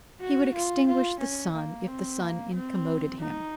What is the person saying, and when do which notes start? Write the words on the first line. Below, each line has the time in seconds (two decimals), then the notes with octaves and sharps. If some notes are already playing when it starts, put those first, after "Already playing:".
He would extinguish the sun if the sun incommoded him.
0.20 F#4
0.54 F4
0.87 F4
1.20 C#4
1.54 A#3
1.87 C4
2.20 A#3
2.54 C4
3.20 D#4